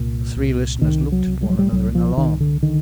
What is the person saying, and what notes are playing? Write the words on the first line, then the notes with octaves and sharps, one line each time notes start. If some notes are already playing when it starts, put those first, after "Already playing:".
The three listeners looked at one another in alarm.
Already playing: C2 A#2
C2
C2 D#3
F#3
C2
G3
F#3
G3
C2 F#3
F3
C2 D#3
D3
D3 D#3